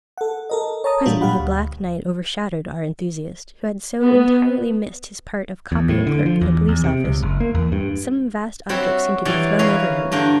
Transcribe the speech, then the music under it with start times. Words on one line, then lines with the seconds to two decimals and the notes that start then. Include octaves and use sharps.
Presently black night overshadowed our enthusiast, who had so entirely missed his part of copying-clerk at a police-office; some vast object seemed to be thrown over him.
0.18 A4 F#5
0.50 A4 A#4 D#5
0.84 C#5 A5 A#5 D#6
1.06 A#2 E3 G3 D4 F4 F#4
1.21 A#2 G3 G4 F5 F#5 B5
1.39 D2
4.05 B3
5.72 E2
5.89 A2
6.07 D3
6.26 F3
6.41 E2
6.68 E2
6.84 C3
7.05 C#2
7.23 F#1
7.40 A#3
7.55 E2
7.72 G2
8.69 G3 C4 F#4 C#5 E5 B5
9.25 F#2 E3 G3 C#4 C#5 D5
9.59 E3 C#4 G#4 A#4 B4 F5
10.12 G2 D3 A#3 G5